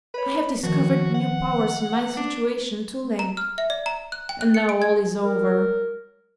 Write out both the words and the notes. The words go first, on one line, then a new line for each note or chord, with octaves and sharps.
I have discovered new powers in my situation too late--and now all is over.
B4 C#5 B5
D#3 F3 F#4
F#5
D4 D6
A#5
F6
E5
D5
A#5
F#6
G5
F#6
C#7
D7
G#6
A#4